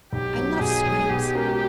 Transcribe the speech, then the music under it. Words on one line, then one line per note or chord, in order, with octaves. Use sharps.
I love scrapes.
B1 G4
B2 F#3
B1 G#4
B2 F#3
B2 G4
G#3 C#4 F#4 A#4